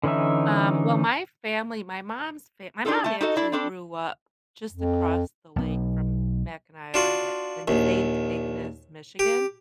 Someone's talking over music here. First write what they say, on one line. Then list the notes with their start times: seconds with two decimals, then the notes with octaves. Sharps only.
Um, well, my family my mom's fa my mom actually grew up just across the lake from Mackinac Island at in Saint Ignace, Michigan.
0.04 D3 E3 C#4 D#4 E5
2.85 D4 D#4 F4 A4 A#4
3.04 A3 A5
3.21 D#4 F#4 A4 D#5
3.36 D4 E4 D5
3.52 C4 D4 A4
4.73 F2
5.56 B1 B3
6.94 D4 F4 F#4
7.68 A#1 D#2
9.19 G4